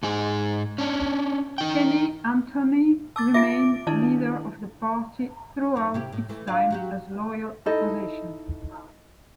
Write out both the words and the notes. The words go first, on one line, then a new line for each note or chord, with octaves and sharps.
Kenny Anthony remained leader of the party throughout its time as loyal opposition.
G#2 D#4 G#4
C#4 D4
D#4 G5
A5 D6 E6 A6
F4 G#4 E5 D6 D7
D#3 D4 E4 D5 A5
F#2 D#4
C3 E4 G4
A2
E3 A3
D4 F4 F5
F#3 F#4 G4
D#4 E4 A4 D#5